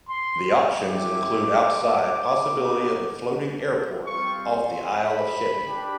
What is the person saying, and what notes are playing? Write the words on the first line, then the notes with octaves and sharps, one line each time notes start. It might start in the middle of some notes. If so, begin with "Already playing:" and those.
The options include outside possibility of a floating airport off the Isle of Sheppey.
C6
C4 E4 G4 D6
A#3 D#4 F#4
G3 C4 F4 C#6
C6
B5
D4 G4